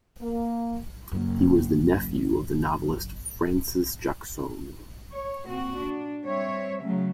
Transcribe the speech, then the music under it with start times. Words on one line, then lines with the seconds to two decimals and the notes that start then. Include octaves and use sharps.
He was the nephew of the novelist Frances Jacson.
0.22 A#3
1.12 F#1 F#2
5.11 C#5
5.45 A#2 C4 F#4
5.77 D4
6.25 G3 C4 C#5 E5
6.83 C#3 F#3 A3